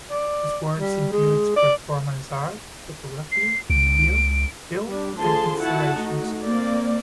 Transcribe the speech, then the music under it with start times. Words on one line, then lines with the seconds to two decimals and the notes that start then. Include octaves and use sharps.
His works includes performance art, photography, video, film and installations.
0.11 D5
0.79 G3
1.12 G#3
1.56 D5
3.31 C7
3.70 C#2 D7
4.87 G3 D4
5.18 D3 F3 A3 G#4 A5 C6
5.58 E4 F#4 F#5 A5
5.95 A3 D#4 F#4
6.44 A#3 C4 D5